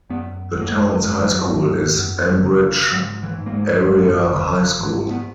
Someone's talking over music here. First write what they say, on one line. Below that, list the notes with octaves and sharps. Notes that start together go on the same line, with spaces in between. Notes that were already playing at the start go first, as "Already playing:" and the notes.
The town's high school is Ambridge Area High School.
F#2 B3
F#2 A#3
G#3
G#2 G#3
F#3
E3
F#3
G#2
F#2
C#3
G#2 F#3
E3
G#2
A#3
G#3
F#3
F#2 G#3
C#3 E3
G#2 E3
B3